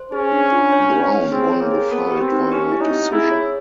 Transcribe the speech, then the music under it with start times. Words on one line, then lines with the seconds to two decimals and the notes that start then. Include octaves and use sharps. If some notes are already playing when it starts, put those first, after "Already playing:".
Brown won the fight via decision.
Already playing: C5
0.11 C#4 G#4
0.32 D4
0.52 F4
0.72 C#5
0.92 C#5
1.12 D#4
1.31 C4 G#4
1.52 C#5
1.61 A#3
1.71 G#4
1.91 B3 A#4
2.11 G4
2.21 C4
2.32 D#4
2.52 C#4 G4
2.72 E4
2.81 D#4
2.91 C4
3.11 E4 G#4
3.31 C#5